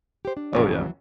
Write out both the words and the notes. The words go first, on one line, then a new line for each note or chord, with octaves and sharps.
Oh, yeah.
G4 C5
D4
A1 F2 C#3
D#2 E3 F#3